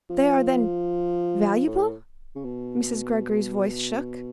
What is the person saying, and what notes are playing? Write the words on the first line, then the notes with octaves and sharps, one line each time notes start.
"They are, then--valuable?" Mrs. Greggory's voice shook.
F3
A2
C#3
B2